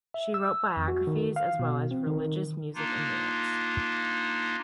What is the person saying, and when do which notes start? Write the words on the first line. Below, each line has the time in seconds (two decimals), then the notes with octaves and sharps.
She wrote biographies as well as religious music and lyrics.
0.14 E5
0.34 E6
0.77 F2
0.88 F#4
1.07 D#3
1.36 F5
1.59 B2
1.91 C4
2.07 D#3
2.75 A#3 D4 D#4 F4